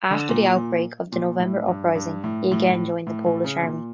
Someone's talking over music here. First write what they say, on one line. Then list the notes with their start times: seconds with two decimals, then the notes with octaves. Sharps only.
After the outbreak of the November Uprising he again joined the Polish Army.
0.11 D3
0.29 A#2
0.56 A#2
1.12 A#2
1.40 A2
1.68 G2
1.95 G2
2.24 A2
2.51 A2
2.70 A2
3.07 A2
3.26 A2
3.44 C#3
3.63 A#2